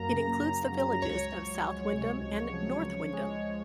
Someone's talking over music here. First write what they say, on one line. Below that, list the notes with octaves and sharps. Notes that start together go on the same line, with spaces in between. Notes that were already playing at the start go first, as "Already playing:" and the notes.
It includes the villages of South Windham and North Windham.
Already playing: F#2 F#3 A#3 A#5
C#3
F#2
F#3
C#2 C#5
F3
G#3
C3
C#2
F3
C#2
G#3